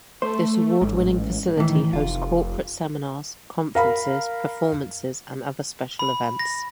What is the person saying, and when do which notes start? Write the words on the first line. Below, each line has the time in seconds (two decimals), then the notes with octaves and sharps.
This award-winning facility hosts corporate seminars, conferences, performances and other special events.
0.22 A3 C5
0.82 A1 G#2
1.57 A2 D#3 E3
1.93 F1 F4
3.75 A#4 F5 B5
5.99 B5
6.39 A#6